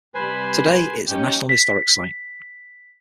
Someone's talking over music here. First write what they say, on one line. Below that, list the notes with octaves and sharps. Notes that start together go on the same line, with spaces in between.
Today it is a national historic site.
C3 G3 B4 C5 G#5 B5
C#4 D#4 G4
B6